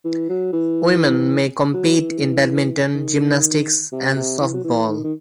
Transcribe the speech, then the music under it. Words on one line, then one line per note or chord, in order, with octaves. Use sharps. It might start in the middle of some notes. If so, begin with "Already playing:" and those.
Women may compete in badminton, gymnastics, and softball.
E3
F#3
E3
F#3
E3
D#3
C3
C3
E3
F#3
E3
D#3
D#3